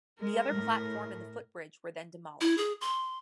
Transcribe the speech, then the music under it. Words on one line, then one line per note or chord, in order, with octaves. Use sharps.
The other platform and the footbridge were then demolished.
G#3 A#4
A2
E4
G#4
C6